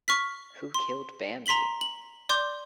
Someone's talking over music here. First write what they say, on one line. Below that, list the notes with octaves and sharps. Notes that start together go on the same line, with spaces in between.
Who killed Bambi?
C#6 F6 B6
C6
A#5 C6 B6 F#7 G7
F#7
D5 C6 D6 G6